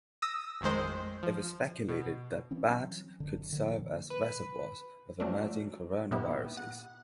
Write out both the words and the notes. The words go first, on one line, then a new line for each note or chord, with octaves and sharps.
It was speculated that bats could serve as reservoirs of emerging coronaviruses.
D#6 E6 A#6
A1 F2 D#3 G#3 C5
F3
B2
E3 C4 C#4
F#3
F#1 D3
D3 F3 A#3
B4
F3 F#3 A3 C#4 D4
A#2 D#3 B3 E4 G4
F#5